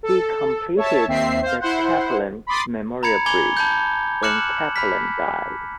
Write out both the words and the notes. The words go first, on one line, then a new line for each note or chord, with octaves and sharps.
He completed the Cappelen Memorial Bridge when Cappelen died.
A4
C#5 E5 A5
D#2 C4 E5 C7
C5 F5
E4 C5 F#5
B5 C6 D6 D#6 A6 C7
A#5 B5 G#6 C#7
G#5 B5 D6 G#6 F7 G7
A5 B5 G6
D6 F6 F#6 C#7 E7 F#7
B5 F6 B6